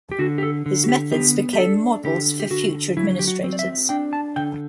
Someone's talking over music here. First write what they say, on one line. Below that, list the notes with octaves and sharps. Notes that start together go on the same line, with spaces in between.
His methods became models for future administrators.
G4
D3 F#4
G4
A4
D3
F#4
G4
B3 G4
G4
D4 A4
D3 G4
G4
D3 F#4
F#3 E4
G4
F#4
C4
D5
E5
D4 G5
A5
D3 G5